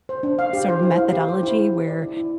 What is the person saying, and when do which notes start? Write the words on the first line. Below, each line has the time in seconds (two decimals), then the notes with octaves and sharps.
sort of methodology where
0.09 C5
0.23 D4
0.39 F5
0.53 G4
0.69 C5
0.83 E4
0.97 F5
1.13 G4
1.28 C5
1.43 E4
1.57 E4
1.73 G4
1.87 D5
2.02 E4
2.17 E4